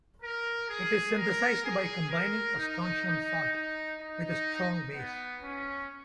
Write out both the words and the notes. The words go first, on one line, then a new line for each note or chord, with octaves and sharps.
It is synthesized by combining a strontium salt with a strong base.
A#4
G#4
A#4
G#4
A#4
D#4
D#4
D#4
D#4
B3
C#4